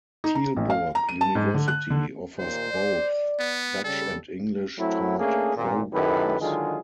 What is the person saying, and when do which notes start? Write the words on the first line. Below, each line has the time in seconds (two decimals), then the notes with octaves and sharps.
Tilburg University offers both Dutch-and English-taught programs.
0.24 D#4
0.35 A#5
0.56 A1
0.70 F5
0.95 A#5
1.09 D#7
1.21 A5
1.35 G#2
1.54 D3
1.68 F#6
1.90 D3
2.39 D#2 A#2 C5
2.70 D5
3.40 B3
3.84 C#3 G3 A4
4.79 F#3 A3 C4 E4
5.19 A3 A#3 C#4 D4 G#4
5.56 G#1 A#2
5.93 F#2 D#3 E4 G4 A4 B4
6.40 D3 D#3 F#3 G#3 F4 G#4